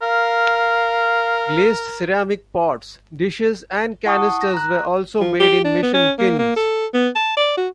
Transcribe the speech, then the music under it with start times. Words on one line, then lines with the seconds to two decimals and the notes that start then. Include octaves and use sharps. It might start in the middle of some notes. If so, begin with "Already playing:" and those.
Glazed ceramic pots, dishes, and canisters were also made in mission kilns.
0.02 A#4 F5
4.05 E4 F#5 A5 C#6 D#6
4.41 A#6
4.54 A#5 F#6
5.20 F3
5.40 G4
5.64 D4
5.83 B3
5.94 C#4
6.18 A#3
6.39 A#3
6.56 A4
6.94 B3
7.15 A5
7.37 D5
7.57 F#4